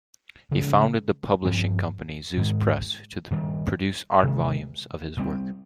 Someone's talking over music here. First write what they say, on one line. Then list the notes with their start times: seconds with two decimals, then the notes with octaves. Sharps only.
He founded the publishing company Zeus Press to produce art volumes of his work.
0.51 C#3 F3 G#3
1.45 G2 F3 C4
2.37 G#2 D#3 G#3
3.31 G2 D#3 G3
4.23 C3 D#3 G#3
5.17 G2 G3 C4